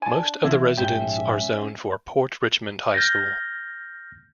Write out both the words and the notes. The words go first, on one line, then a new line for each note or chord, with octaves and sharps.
Most of the residents are zoned for Port Richmond High School.
D4 G#5 A5
C3 E3 C4 E4
A#1 G#2 C#4 G4 E5 G5
F6 G6 A6 A#6